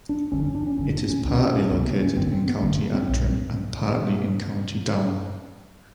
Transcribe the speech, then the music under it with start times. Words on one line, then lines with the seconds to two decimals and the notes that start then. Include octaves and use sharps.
It is partly located in County Antrim and partly in County Down.
0.09 D4
0.32 G1 F2 D3 C#4
0.44 C#4
0.55 D4
0.67 C#4
0.78 G1 F2 D3 C#4
0.94 D4
1.10 C#4
1.24 C#2 C3 C4
1.35 C4
1.40 C#4
1.56 C#4
1.66 C4
1.71 C#2 C3 B3
1.86 A#3
2.02 C#4
2.17 G1 F#2 D3 C4
2.27 B3
2.32 C4
2.47 B3
2.58 A3
2.63 G1 F#2 D3 A#3
2.94 C4
3.09 B1 A#2